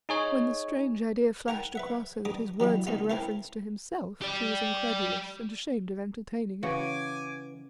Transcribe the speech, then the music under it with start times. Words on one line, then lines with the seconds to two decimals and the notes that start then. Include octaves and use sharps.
When the strange idea flashed across her that his words had reference to himself, she was incredulous, and ashamed of entertaining it.
0.09 D#4 G#4 C#5
1.48 A#4 F#5 G5 A#5
1.75 B4 E5 F#5
2.25 G2 A#5 D6 D#6
2.60 D#3 F#3 G3 E4
2.87 C#2 A#2 D#4 F4
3.10 C4 E4 A4 A#4 C6
4.22 G4 D5
6.63 C#3 E3 F#4 C#5 F#5 G#5 D6